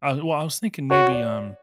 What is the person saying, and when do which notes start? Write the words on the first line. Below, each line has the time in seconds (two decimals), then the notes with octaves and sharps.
I well, I was thinking maybe, um,
0.90 F#4 C#5
1.12 D5